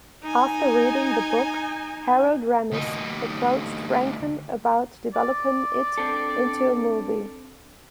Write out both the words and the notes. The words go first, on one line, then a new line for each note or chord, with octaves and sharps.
After reading the book, Harold Ramis approached Franken about developing it into a movie.
D#4 G#5
D2 D#4
D5
C4 D4 A4